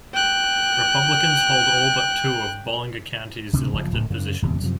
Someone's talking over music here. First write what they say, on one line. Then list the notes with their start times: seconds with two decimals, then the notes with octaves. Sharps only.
Republicans hold all but two of Bollinger County's elected positions.
0.14 G5 F#6
3.53 D1 D2 C3 D4
3.73 F#1 F3
3.92 D1 A2 C#3
4.10 F#2 C#3
4.42 D1 E2 C3
4.61 F#2 C3 F3